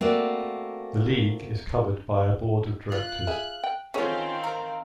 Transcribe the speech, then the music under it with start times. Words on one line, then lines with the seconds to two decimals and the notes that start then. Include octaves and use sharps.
The League is governed by a Board of Directors.
0.01 A3 A#3 C4 F#4 D5
2.92 F4 F#6
3.27 G#4 E5
3.64 G5
3.94 D3 D#3 C4 C#4 F4 G#4 C#5 F5
4.44 A#4